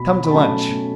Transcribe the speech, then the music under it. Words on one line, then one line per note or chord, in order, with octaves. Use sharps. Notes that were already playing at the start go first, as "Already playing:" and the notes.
"Come to lunch."
Already playing: B2 B5
B5
F#3 A3 C#4 A5
B2